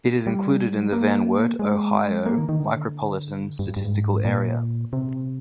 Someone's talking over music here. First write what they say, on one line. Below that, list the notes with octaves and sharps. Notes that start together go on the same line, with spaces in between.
It is included in the Van Wert, Ohio Micropolitan Statistical Area.
G3
A#3
G#3
A#3
D#3
D#3
D3
G2
G2
G#2
A#2
C3